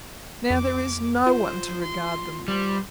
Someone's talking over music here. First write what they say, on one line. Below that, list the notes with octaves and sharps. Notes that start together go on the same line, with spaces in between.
Now there is no one to regard them.
F2 D6
F4 C5
C6
G3 C5